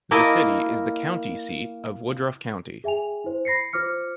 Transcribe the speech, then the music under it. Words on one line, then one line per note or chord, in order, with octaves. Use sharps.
The city is the county seat of Woodruff County.
A#3 E4 A#4 D#5 A5
G#4 E5 G5 G#5 F7
E4 C5
B5 A#6 C7 C#7
F4 C5 D6 F6 C#7